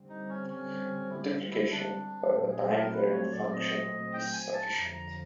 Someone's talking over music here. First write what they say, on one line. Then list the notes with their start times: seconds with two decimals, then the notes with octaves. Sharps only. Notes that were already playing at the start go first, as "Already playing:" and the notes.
Multiplication by a time-variant function is sufficient.
Already playing: D3 G3 C4
0.09 D#4
0.29 C#4
0.49 C#4
1.10 E4
1.50 E4
1.71 D4
2.32 A#2 F#3 A3 C4
2.51 G#4
2.72 A#4
2.92 B4
3.12 C#5
3.32 D5
3.53 D#5
4.13 G5
4.33 G#5
4.54 A5
4.74 F2 D3 F3 A#5
4.94 A#5